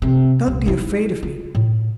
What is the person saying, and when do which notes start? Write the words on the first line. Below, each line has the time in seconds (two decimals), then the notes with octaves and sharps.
Don't be afraid of me.
0.02 C3
0.46 D#1 C2
0.66 D#4 E4
1.23 F4
1.55 A2